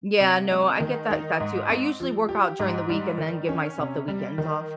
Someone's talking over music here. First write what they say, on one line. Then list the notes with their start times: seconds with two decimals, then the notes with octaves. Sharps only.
Yeah, no, I get that that, too; I usually work out during the week and then give myself the weekends off.
0.20 C3
0.51 G#3
0.80 D#3
1.10 D#4
1.40 G#2
1.69 C4
2.00 F3
2.29 G4
2.60 G#2
2.89 G3
3.18 D#3
3.49 C#4
3.79 C3
4.08 G3
4.38 D#3